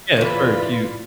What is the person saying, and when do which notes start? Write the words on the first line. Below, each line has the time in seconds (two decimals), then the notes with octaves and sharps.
Yeah, it's very cute.
0.17 E2 E3 F4 B4 D5 B5